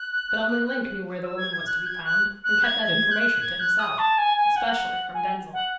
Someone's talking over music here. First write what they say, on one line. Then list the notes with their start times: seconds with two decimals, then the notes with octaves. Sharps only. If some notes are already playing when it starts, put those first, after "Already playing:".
But only Link knew where the woman was to be found, and kept that information to himself--especially from Denzil.
Already playing: F#6
1.23 E6
1.37 G#6
1.52 G#6
1.66 F#6
1.86 G#6
2.05 F#6
2.44 F#6
2.63 G#6
2.83 G#6
3.11 F#6
3.41 G#6
3.59 F#6
3.79 D#6
3.98 A5
4.18 G#5
4.37 G#5
4.56 F#5
5.14 G#5
5.53 F#5